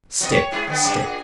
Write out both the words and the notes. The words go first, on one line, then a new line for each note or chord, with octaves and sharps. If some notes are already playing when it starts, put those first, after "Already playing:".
'Stick, stick!
F#3 B3 D#5
C#5
G#3 E4 G#4
D3 B3
G2 C#3 D4
A#2 G#4